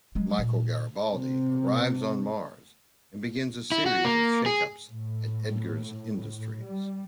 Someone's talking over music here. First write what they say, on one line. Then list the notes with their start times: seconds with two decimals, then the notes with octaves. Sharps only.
Michael Garibaldi arrives on Mars, and begins a series of shakeups at Edgars Industries.
0.15 F#3 G#3
0.39 A#2
1.14 C3
3.72 E4
3.86 F#4
4.05 A#3
4.46 G#4
4.88 A2
6.65 G3